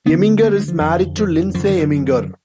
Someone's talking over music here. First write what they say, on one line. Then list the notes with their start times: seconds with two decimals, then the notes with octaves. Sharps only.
Eminger is married to Lindsay Eminger.
0.06 D2 D3 B3
0.43 A#3
0.56 G#3
0.68 F3
0.80 F2 D3
1.18 F3
1.54 F#2 D3 F3
1.67 D#3
1.79 D3